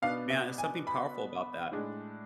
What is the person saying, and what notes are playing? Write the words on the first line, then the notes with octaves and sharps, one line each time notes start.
man, there's something powerful about that.
B2 B3 D4 F5
E5
G#5
B5
A2 G#3 D4